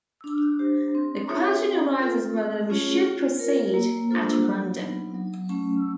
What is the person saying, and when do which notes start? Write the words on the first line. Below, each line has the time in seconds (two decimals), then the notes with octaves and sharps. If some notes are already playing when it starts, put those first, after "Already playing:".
The question arises whether we should proceed at random.
0.24 D4
0.59 G4 C5
0.95 C4
1.29 F4 G#4 C#5 E5
1.64 C4
1.99 F4 A4
2.34 A3
2.70 C#4 F4 G#4 C#5
3.04 F4
3.39 A#4 C#5
3.74 A#3
4.09 D4 F4 A4 C5
4.43 F#3
4.79 B3 D#4
5.14 F#3
5.49 A3 C#4